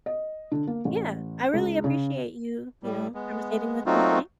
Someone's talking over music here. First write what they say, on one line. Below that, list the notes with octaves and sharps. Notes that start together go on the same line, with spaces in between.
yeah, I really appreciate you, you know, conversating with me today.
D#5
D3
A#3
A1
C#2
C#3
A2 G3
G#3 B3
F#3 A3 C4 D#4 F4 F#4